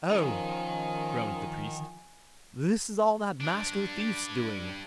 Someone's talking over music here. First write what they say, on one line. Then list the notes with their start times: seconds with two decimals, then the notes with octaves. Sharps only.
'Oh!' groaned the Priest, 'this is all that Master Thief's doing.
0.11 D#3 F3 C#4 D#4 A#4 C5 G#5
3.41 G2 D4